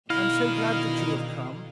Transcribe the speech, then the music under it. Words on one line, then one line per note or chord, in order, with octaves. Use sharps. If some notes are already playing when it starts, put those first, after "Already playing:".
'I am so glad that you have come.'
B2 D3 D#3 E4 A#4 D#5 F5